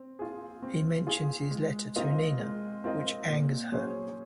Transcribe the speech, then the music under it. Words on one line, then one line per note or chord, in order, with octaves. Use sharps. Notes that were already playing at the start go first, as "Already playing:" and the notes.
He mentions his letter to Nina, which angers her.
Already playing: C4
F4 G#4
C4
F4 G#4
G#3
C4 F4 A#4 D#5
G#3
C4 F4 A#4 D#5
A#2
F#3 C#4 G#4 C5